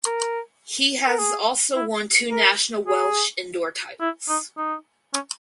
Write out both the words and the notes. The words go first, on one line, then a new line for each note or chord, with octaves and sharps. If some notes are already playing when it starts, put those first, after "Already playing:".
He has also won two national Welsh indoor titles.
A#4
A#4
G#4
E4
A#4
G#4
E4
D#4
D#4
C#4